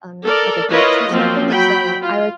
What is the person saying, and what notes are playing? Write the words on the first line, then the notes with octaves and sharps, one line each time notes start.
have um, like, a beach or something, so I like
A4 A#4 D5
E4 F4 A#4 B4 C#5 D#5
F3 F#3 A#3 C4 F4
F#3 G5 B5
F4